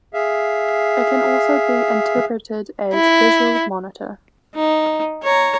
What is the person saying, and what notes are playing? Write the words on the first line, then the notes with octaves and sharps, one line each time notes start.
It can also be interpreted as "visual monitor".
G#4 E5 F5
E4
D#4
C#5 A#5